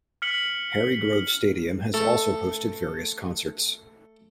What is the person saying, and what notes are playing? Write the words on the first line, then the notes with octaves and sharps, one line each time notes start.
Harry Grove Stadium has also hosted various concerts.
F6 B6 C#7 F#7
A3 A4